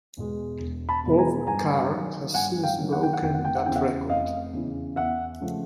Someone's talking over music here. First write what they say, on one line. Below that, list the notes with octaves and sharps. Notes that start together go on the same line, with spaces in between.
Bob Carr has since broken that record.
E2 B2 G#3
E1
A5 B5
E2 B2 G#3
G#5 A#5
G2 G#5 A#5
D#3 F#3
G2 F#5 G#5
F5 G5
D#3 F#3
F#5
G5
F#5
F1 G5
F#5
G5
F#5
E2 C#3 E3 G5
E5 F#5
F1 D#5 F5
E2 C#3 E3
E2 E5 F#5
C#3 F3 A3